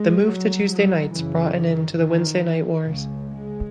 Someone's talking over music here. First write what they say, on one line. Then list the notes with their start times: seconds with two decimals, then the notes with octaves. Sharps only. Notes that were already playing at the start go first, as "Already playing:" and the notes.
The move to Tuesday nights brought an end to the Wednesday Night Wars.
Already playing: G#3
0.26 F#3
0.70 F#3
1.12 F#2 C#3 E3
1.55 D#3
1.98 D#3
2.84 C#2 C#3
3.27 G#3